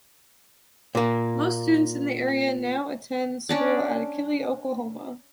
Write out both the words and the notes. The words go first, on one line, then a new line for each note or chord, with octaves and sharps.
Most students in the area now attend school at Achille, Oklahoma.
A#2 A#3
C#4 D4 D5